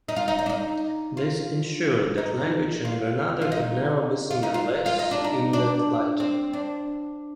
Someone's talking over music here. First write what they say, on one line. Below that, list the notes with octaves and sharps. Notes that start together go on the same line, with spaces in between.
This ensured that language in Grenada could never be seen unless in that light.
D#4
F4
D#4
D#4
D4
D#4
F4
D#4
F4
F4
D#4
F4
D#4
F4
F4
D#4
D4
D#4
D4
C4
D4